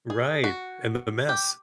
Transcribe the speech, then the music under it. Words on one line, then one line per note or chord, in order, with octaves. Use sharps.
Right, and the mess.
G#4
F#4
G4